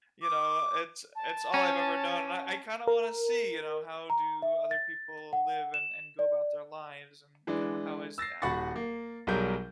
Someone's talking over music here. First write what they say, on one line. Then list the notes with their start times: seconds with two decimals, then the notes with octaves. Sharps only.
you know, it's it's all I've ever known and I I kinda wanna see, you know, how do other people live and and go about their lives and, you know, how is that?
0.22 D6
1.16 A5
1.54 C#4
2.88 A#4
4.10 A#5
4.42 E5
4.71 A6
5.33 F#5
5.74 E7
6.19 D5
7.47 E3 G#3 D4
8.18 E6 A6 A#6 C7
8.42 D#1 F#4 F#5 B5 C#6 A6
8.76 A#3
9.27 B1 F#3 G3 G#4 A#4 G6